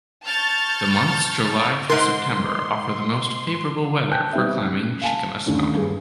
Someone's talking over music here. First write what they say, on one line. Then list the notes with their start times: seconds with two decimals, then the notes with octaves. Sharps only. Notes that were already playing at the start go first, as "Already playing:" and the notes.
The months July through September offer the most favorable weather for climbing Cheakamus Mountain.
0.25 A5 C#6 F6 G6 A6
1.90 G#2 A#4 C6
4.11 G5 A5 F#6 G6
4.33 G3 B3 C4 D#4 E5
4.64 C#4
5.01 F5 G#5 A5
5.46 D#2 D3 A3 C#4 D4
5.74 G2 G3 G#4